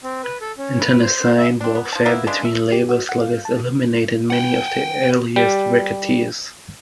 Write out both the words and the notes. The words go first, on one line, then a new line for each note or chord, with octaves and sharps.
Internecine warfare between labor sluggers eliminated many of the earliest racketeers.
C4
B4
A4
C#4
B4
C5
E5
C4 D4
B3
F3 A5
A#3 B3 E4
C#3 E3 G#3 D4
E5
G4
F#4
F#5
F5
A5
F#5 G5
G3